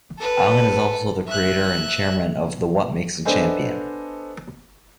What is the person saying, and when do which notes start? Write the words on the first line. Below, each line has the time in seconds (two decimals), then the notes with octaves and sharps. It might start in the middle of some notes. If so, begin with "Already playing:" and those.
Allan is also the Creator and Chairman of the What Makes a Champion?
0.18 A4 B4
1.27 E5 F#6
3.25 B3 D4 A4 C5 D#5 G#5